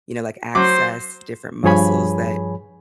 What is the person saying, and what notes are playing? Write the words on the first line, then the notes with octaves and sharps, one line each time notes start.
you know, like, access different muscles that
F#3 C5 D6
G2 F3 G#4 C#5 G#5 B5